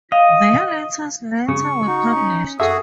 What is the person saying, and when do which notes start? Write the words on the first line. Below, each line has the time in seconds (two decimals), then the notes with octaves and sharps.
Their letters later were published.
0.12 D#5 F5
1.48 C#3 C#6
1.87 D#4 F#4
2.16 C#4
2.60 F#2 F#4 G#4 A4 E5 D#6